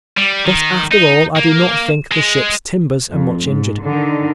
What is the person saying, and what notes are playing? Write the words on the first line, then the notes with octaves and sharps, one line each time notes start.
But after all I do not think the ship's timbers are much injured.
G3
D#3
D#4
A#3
G#3
F2
G#2
D3 D#3